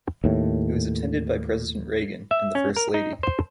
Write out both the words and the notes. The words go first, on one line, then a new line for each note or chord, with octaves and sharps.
It was attended by President Reagan and the First Lady.
D#2 A2
E5
C#4
A#4
D#4
C5